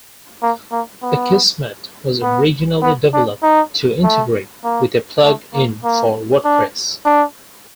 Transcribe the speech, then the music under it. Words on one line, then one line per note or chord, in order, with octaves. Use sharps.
Akismet was originally developed to integrate with a plug-in for WordPress.
A#3
A#3
B3
B3
B3
D4
D#4
A3
A#3
A3
A#3
A#3
D4
D4